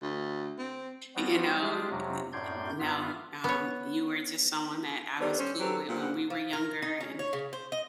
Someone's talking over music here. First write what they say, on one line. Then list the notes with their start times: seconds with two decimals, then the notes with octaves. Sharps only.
you know, u n n no, um, you were just someone that I was cool with when we were younger and
0.02 D2
0.59 C4
1.16 F3 G3 B3 C4 F#4
1.59 G#3 D4 F4 G4 G#4
1.90 F2 C3 F#3
2.33 F#2 A2 D5 C6 G6 G#6
2.79 G2 B3 F4 E5 F6
3.44 B3 C#5
5.20 D#3 G3 B3 A4 C5
5.39 C#4 C5
5.59 F#3 C4 G4 A4 B4
5.89 A#2 C4 G4 F#5
6.30 F3
6.53 A#4
6.82 D#4
7.00 C#4
7.19 C#5
7.33 C#3
7.53 C5
7.72 D#5